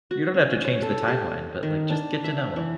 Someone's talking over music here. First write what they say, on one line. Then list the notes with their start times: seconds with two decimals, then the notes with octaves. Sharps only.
You don't have to change the timeline, but, like, just get to know 'em.
0.11 F#4
0.34 C#4
0.65 C#5
0.82 A4
1.08 G4
1.63 D#3
1.90 D4
2.24 E5
2.56 E3